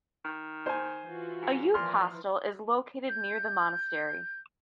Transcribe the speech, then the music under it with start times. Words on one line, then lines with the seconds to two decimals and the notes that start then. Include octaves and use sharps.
A youth hostel is located near the monastery.
0.25 D#3
0.66 C5 G#5
1.04 E3 F4 F#4
1.42 G#2
1.74 A#2 E3 F3 C6 F6
3.09 G6